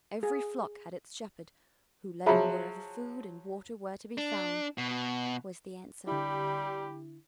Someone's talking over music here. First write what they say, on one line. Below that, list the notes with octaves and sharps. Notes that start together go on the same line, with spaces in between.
"Every flock had its shepherd, who led it wherever food and water were to be found," was the answer.
G#4
F3 F#3 G#4 E5 B5
D4
B2
D3 G3 E4 G4 B5